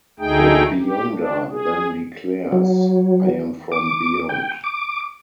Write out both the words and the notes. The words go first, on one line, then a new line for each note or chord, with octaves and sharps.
The Beyonder then declares: I am from beyond!
D2 A3 D#4 G#4 G5
G4
D4
G#4
F#3
D6
G5
D6